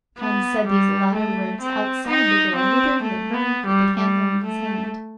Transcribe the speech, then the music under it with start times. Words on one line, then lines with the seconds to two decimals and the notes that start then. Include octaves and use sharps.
John said these latter words outside the door, whither he had hurried with the candle in his hand.
0.19 B3
0.67 G3
1.13 A3
1.61 C4
2.08 D#4
2.56 C4
3.03 A3
3.34 B3
3.66 G3
3.97 G3
4.44 A3